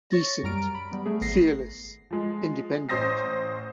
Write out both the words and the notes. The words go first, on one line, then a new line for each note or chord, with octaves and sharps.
Decent, fearless, independent.
C#5 C#6 A6 A#6
F#2 G3 A#5 F6 D7
B5
G3 B3
A3 G#4
G#1 B3 A#6 C7
F3 G#3
A1 C#4 C5 D#6 A#6 C7